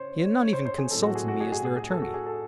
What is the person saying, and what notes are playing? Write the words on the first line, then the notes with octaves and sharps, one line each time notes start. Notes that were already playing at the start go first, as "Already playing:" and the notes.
He had not even consulted me as their attorney.
Already playing: C#3 C5 C#5
C#5
C#5
C5
C5
G#4
A2 F#3 C4 A4
F#4
G#4
F#4
G#4
G#4
G#4
G#4
A4
F#4
G#4
A4